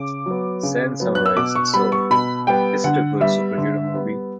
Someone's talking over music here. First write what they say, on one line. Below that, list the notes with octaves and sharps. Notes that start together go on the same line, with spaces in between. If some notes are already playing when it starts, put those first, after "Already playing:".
Sen summarised So, is it a good superhero movie?
Already playing: C#3 D6
F#3 B3
C#3
F#3 B3
F#6
E6
B2 D6
C#6
G3 B3 B5
C#6
B2 B5
G3 B3 G5
D3 F#5
G3 B3 E5
D3
G3 B3